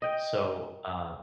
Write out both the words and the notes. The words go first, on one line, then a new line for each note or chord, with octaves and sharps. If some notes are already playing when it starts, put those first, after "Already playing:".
So, uh
D#5 G5